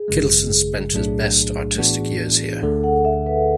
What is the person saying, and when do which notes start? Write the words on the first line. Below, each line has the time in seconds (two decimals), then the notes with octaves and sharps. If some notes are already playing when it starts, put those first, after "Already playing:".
Kittelsen spent his best artistic years here.
Already playing: G#4
0.08 G#1 F#2 C#3 G#3
0.93 B1 A2 F#3 A3 D4
1.78 A2 E3 B3 D4 F#4
2.62 D2 D3 A3 A4
2.84 F#5
3.05 E5
3.26 B4